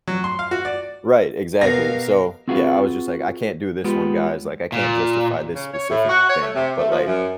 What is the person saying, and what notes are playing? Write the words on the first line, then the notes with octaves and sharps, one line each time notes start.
Right, exactly. So, yeah, I was just like, "I can't do this one, guys. Like, I can't justify this specific thing," but, like,
F#3
C6
F5
F#4
D5
B2 G4 A#4 F5 A#6
C4 F4 F#4 G#4 B4 F5
G#3 B3 F4 G4
A#2
C#3
C#5
A2
F#4
C#5
A3
C3
A3
F3
F#2